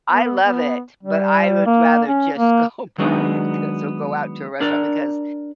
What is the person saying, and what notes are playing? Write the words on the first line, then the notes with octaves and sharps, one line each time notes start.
I love it, but I would rather just go buy it, 'cause I'll go out to a restaurant, because
B3
B3
G3
A#3
C#4
A#3
D#3 F#3 G#3 B3 D4 D#4
D4 A#4 D5